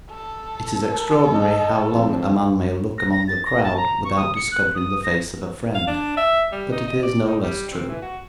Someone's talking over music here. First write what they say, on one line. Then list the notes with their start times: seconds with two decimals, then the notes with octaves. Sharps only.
It is extraordinary how long a man may look among the crowd without discovering the face of a friend, but it is no less true.
0.10 A4
0.90 A#4
1.30 D#5
1.92 F2
2.98 A#6
3.12 A#6
3.28 A6
3.45 A#6
3.63 A5
3.77 A#5
4.04 C#6
4.16 D#6
4.35 C#7
4.52 F#6
4.74 D#6
5.03 A#6
5.75 F5
5.87 D4
6.17 E5
6.52 G3
6.72 D#4
6.88 D#5
7.03 D5
7.27 D#4
7.43 G3
7.72 C4
7.89 E3
8.02 F#4